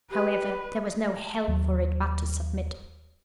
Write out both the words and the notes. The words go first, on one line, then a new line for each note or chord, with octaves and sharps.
However, there was no help for it but to submit.
G4 B4
D#2 F#3